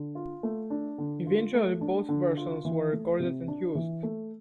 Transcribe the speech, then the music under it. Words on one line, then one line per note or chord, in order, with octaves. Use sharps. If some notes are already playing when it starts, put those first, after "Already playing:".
Eventually both versions were recorded and used.
Already playing: D3
F4
A3
D4
D3
F4
A3
D4
D3
F4
E3
A3
C3
D4
E3
A3